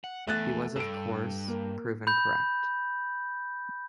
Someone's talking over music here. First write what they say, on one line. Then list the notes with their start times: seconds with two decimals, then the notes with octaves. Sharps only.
He was, of course, proven correct.
0.04 F#5
0.27 E2 A3 F#6 A6
0.76 G2 A4 D7
1.48 A#3
2.07 B5 G6